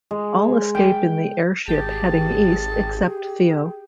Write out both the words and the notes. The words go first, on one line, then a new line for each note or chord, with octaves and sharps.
All escape in an airship heading east except Theo.
G#3
G5
G#1 G4 G#4 A5